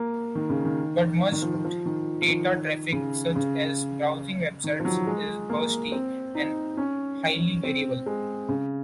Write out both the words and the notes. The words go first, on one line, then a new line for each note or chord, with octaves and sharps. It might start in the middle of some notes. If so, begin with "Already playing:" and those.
But much data traffic, such as browsing web sites, is bursty and highly variable.
Already playing: A#3
D#3
C#3
D#3
D#3
F3
F3
F3
D#3
F3
D#3
C#3
C#3
D#3
F3
F#3
G#3
A#3
C4
D#4
C#4
C4
G#3
C#3